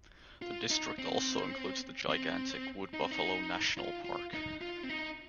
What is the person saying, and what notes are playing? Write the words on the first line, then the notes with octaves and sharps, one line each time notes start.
The district also includes the gigantic Wood Buffalo National Park.
F4
D#4
C4
C4
D#4
C4
D#4
F4
F4
D#4
F4
C4
D#4